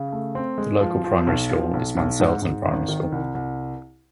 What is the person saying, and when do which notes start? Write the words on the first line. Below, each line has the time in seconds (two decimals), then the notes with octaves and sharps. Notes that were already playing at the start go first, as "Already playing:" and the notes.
The local primary school is Manselton Primary school.
Already playing: C#3
0.12 A3
0.35 C4
0.58 G#3
0.81 F3
1.04 F3
1.27 B1
1.50 F3
1.73 B1
1.97 B1
2.20 G#2
2.42 G#2
2.65 G#1
2.89 D#3
3.12 C2
3.35 C2